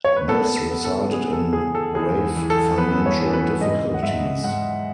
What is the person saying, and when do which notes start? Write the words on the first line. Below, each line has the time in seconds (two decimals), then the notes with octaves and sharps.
This resulted in grave financial difficulties.
0.05 C#5
0.16 B4
0.28 B3 A4
0.56 A4
0.71 B3
0.85 A4
1.12 B3 G#4
1.33 A4
1.53 E2 G#4
1.75 A4
1.95 E2 G#4
2.37 E3
2.50 A4
2.78 B3 B4
3.06 C#5
3.20 E3
3.33 B4
3.61 G#2 D#5
3.94 F#5
4.02 G#2 E5
4.44 G#2 F#5